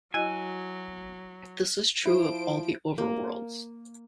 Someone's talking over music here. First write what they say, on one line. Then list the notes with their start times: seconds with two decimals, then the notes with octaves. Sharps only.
This is true of all the overworlds.
0.14 F#3 E4 F#4 D#5 G#5
2.06 F3 E4 C5 D7
2.98 A#3